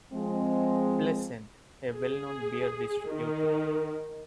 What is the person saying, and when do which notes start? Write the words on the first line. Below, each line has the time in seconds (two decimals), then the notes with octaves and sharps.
Pleasant, a well-known beer distributor.
0.13 F3 G#3 C4
1.92 G#4
3.11 D#3